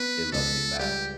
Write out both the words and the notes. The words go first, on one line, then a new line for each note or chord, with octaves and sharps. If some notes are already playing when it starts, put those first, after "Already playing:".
it loves you back
Already playing: B3 B4
C#2 A4
G3 G4